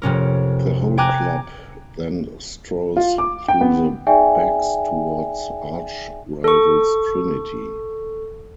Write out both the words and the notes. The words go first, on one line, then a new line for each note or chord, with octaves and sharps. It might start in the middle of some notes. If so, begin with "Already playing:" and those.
The whole club then strolls through the backs towards arch-rivals Trinity.
F1 C3 C#4 A#4
G5 G#5 A#5 D6 F#6
F4
D6
G5
B3
D#4 G#4 D5 E5 G5 G#5
A4 C#6